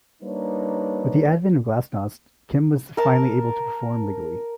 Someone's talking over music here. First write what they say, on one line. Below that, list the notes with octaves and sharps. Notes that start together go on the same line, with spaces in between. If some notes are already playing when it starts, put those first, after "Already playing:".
With the advent of glasnost, Kim was finally able to perform legally.
G3 A#3 D4 D#4 B4 C#5
A#4 A5